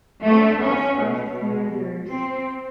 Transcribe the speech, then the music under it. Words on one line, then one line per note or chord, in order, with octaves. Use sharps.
All of us are his murderers...
A3
C#4
B2
C4